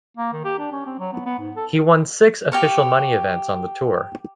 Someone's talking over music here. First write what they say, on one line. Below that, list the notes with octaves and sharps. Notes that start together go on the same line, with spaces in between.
He won six official money events on the tour.
A#3
D#3
G4
D4
C#4
C4
F#3
B3
B3
G#2
A4
G4 F5 C#6